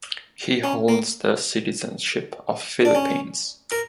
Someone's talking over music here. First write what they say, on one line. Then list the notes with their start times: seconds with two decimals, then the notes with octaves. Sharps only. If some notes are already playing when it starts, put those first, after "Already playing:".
He holds the citizenship of Philippines.
0.64 C#4
0.88 A#3
2.85 D4
2.95 C#4
3.72 A#4